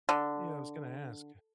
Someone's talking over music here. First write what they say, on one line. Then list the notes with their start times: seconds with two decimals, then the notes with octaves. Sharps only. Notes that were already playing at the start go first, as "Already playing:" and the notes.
Yeah, I was gonna ask.
0.09 D3